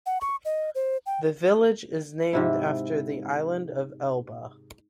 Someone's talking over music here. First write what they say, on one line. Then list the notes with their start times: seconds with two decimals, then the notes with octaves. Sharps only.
The village is named after the island of Elba.
0.06 F#5
0.21 C#6
0.45 D#5
0.75 C5
1.06 G5
2.33 G#2 C3 E4